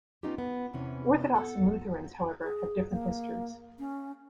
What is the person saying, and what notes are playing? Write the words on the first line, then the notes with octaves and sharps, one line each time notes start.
Orthodox and Lutherans, however, have different histories.
B3 C#4 D#4 F4 G4
B3
E2 C3 E3 C#4
A4 F#5
G#4
A#3
C#4